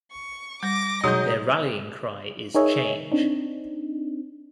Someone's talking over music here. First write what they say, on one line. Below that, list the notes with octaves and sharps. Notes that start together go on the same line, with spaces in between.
Their rallying cry is Change!
C#6
G3 D6 A#6
B2 F#3 G#3 D#4 D#5 D#6 G6
D#4 G#4 A#4 C#5 D#5 E5
C4 D4 D#4